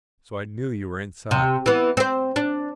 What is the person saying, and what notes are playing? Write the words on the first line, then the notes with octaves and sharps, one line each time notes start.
So I knew you were inside.
C3
E3 B3
C4 C5
D4